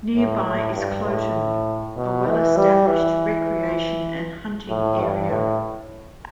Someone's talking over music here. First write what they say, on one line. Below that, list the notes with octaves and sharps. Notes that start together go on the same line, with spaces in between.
Nearby is Kloten, a well-established recreation and hunting area.
A2
A2
G2
A2
B2
E3
G3
E3
A2
G2
A2